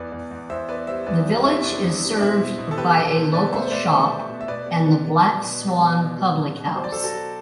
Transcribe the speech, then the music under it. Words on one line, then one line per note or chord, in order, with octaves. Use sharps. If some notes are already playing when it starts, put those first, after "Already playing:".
The village is served by a local shop and the Black Swan public house.
Already playing: E2 B4 D5
E2
E2
E2 C5 E5
B3 B4 D5
G3 C5 E5
E2 B4 D5
G3
G3 C4 E4
C3 D4
E2
G3
D4
B2 C4 E4
B2
B2
A4
B2 G4 B4
B2
A4 C5
B2
B2 B4 D5
A3 C5 E5
C5
A3 B4 D5
A3 C5 E5
B2
B2
E5
B2 B4 D5
B3
B3
B3
F#3
B2
B2
B2
B2
F#3
B2
B2
F#3 C5
D5
F#3 A4 C5
F#4 A4
F#3